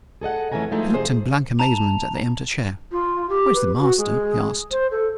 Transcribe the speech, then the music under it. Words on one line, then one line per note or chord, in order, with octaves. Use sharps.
He looked in blank amazement at the empty chair. "Where's the master?" he asked.
G#4 A4 D#5 F#5
F2 E3 A3 C#4 G#5 A#5
F3 G#3 A3 D#4 E4
F2 C3 G#4 C5
A5 A#5 F7
F4
G4
B4
F#4
G#3
C5
A4